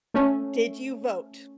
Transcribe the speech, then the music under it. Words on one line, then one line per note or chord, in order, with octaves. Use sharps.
"Did you vote?
A3 C#4